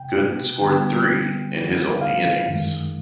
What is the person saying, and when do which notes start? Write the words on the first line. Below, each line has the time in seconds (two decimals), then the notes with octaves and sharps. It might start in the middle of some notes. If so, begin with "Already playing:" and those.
Gooden scored three in his only innings.
Already playing: C3 G5
0.62 D3 G3 B3 G5
2.01 F5
2.48 F#2 D#3 G#3